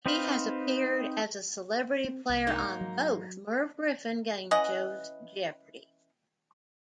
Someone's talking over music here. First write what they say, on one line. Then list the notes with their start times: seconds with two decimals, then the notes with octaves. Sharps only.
He has appeared as a celebrity player on both Merv Griffin game shows Jeopardy!
0.06 C4 D#4 B4 C5 F5
2.04 C4
2.29 C2
2.47 G#2 A#3 D#4
2.81 F#3
4.51 E3 C#4 D#5 F#5